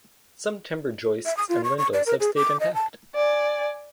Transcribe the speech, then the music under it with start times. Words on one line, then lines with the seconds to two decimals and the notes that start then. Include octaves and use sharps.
Some timber joists and lintels have stayed intact.
1.25 E5
1.37 D#6
1.49 F4
1.64 C#6
1.78 C#6
1.93 D5
2.06 A#4
2.20 G#4
2.36 D6
2.60 D#5
2.74 A5
3.15 D5 G#5